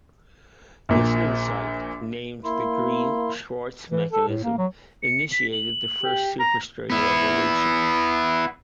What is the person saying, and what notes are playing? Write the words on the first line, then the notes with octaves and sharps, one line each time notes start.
This insight, named the Green-Schwarz mechanism, initiated the First Superstring Revolution.
A#1 A#2
A#3 E4 C6
E3
A4
A2
A#3
F#3
C#7
B6
F#7
G4
A#5
B3 E4